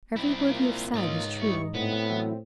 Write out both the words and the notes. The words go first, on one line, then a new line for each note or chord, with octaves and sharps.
Every word you have said is true.
C4 E4
A#3 F4
G#2 D#4 C#5 D#5
G3 E4 C#6
A2 B3 C4
E3 F#3 E4